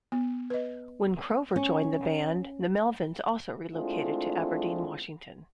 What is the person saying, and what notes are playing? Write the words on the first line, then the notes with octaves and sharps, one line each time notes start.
When Crover joined the band, the Melvins also relocated to Aberdeen, Washington.
B3
B4 D#5
C#4
G#3 A3 C4 D4 E4 F4